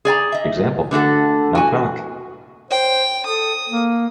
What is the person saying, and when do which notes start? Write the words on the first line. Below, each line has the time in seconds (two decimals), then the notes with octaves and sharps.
Example: Knock knock.
0.05 G#4 D5 G#5 A#5
0.32 D#5 E5
0.91 D3 A3 F#4 A4
1.55 F#4 G#5
2.71 C5 G5
3.26 A4 D#6
3.70 A#3